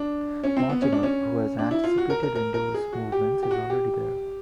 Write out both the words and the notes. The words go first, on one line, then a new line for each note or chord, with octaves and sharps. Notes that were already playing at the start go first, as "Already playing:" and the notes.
Mortimer, who has anticipated Indio's movements, is already there.
Already playing: D4
C#4
C4
B3
C#4
D4
C#4
D4
E4
F4
F#4
A#4
A#4
A#4
A#4
G#4
F#4
G4
G4
F#4
G4